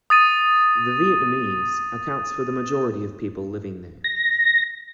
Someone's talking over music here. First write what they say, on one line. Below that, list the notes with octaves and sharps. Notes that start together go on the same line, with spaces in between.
The Vietnamese accounts for the majority of people living there.
D#6 A6 D#7
A#6